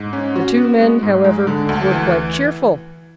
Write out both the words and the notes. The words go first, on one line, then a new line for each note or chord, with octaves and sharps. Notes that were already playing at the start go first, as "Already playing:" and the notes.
The two men, however, were quite cheerful.
Already playing: G#2
C#4
F#4
B3
G#3
G#2
G#3
D3
D2
E3